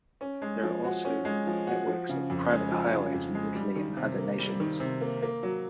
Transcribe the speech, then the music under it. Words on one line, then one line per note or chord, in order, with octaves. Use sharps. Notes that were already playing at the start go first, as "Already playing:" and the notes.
There are also networks of private highways in Italy and other nations.
C#4
G#3
F3
F#4
C#4
G#3
F3
F#4
F3
C#3
F2
G#3
F3
C#3
F2
G#3
G3
D#3
C3
A#3
G3
D#3
C3
A#3
A#3
F#3